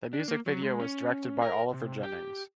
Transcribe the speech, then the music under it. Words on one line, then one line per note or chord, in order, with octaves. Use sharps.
The music video was directed by Oliver Jennings.
D4
A#3
F#3
G#3
C#4
A#4
C3
G4